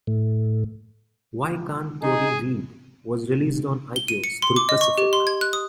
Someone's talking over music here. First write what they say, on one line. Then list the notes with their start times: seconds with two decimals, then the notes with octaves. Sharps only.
"Y Kant Tori Read" was released on iTunes through Pacific.
0.07 A2
2.02 D#4 G#4
3.96 G7
4.08 D#7
4.24 C#7
4.42 C6
4.56 D6
4.69 D#5
4.81 C#6
4.98 G4
5.13 C6
5.27 G#6
5.41 F#6
5.53 D#6